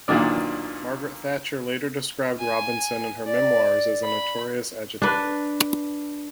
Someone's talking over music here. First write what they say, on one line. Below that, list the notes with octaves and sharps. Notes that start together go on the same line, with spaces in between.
Margaret Thatcher later described Robinson in her memoirs as a "notorious agitator".
B1 A#2 D#3 D4 D5
G#5
D5
B5
D4 B4